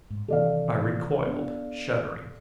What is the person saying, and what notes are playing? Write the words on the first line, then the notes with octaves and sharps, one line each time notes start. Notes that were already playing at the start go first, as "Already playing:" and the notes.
I recoiled shuddering.
G#2
C3 D#3 E3 A4 D5 F5
B3 D4